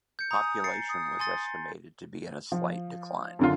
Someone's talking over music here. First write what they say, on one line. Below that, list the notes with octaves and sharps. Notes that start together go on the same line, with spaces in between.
Population was estimated to be in a slight decline.
G6 C#7
G#5 A#5 D#6
A6 C7 C#7
D#6
G#5 C6 A6
F3
F#2 D3 F4